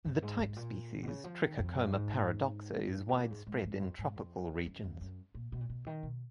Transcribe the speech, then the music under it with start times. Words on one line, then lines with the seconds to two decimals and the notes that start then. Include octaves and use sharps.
The type species, Trichocoma paradoxa, is widespread in tropical regions.
0.05 F#2
0.22 G#2
0.40 G#2
0.56 A#2
1.03 B2
1.08 C#3
1.24 F3
1.42 D#3
1.59 F2
1.76 F#2
1.93 G#2
3.09 B2
3.12 A#2
3.30 G#2
3.47 G#2
3.64 G#2
3.81 F2
3.99 G#2
4.15 F2
4.66 F#2
4.84 F#2
5.01 F#2
5.34 A#2
5.52 B2
5.61 A#2
5.70 B2
5.87 D#3
6.03 B2